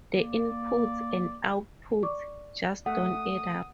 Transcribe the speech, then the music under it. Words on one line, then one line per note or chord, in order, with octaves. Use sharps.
The inputs and outputs just don't add up.
A#3 D5
D5 C#6 D6
A3 F#5 D#6